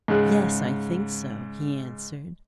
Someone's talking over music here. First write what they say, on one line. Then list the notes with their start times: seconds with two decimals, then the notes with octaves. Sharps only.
"Yes, I think so," he answered.
0.08 G#2 C#3 F#6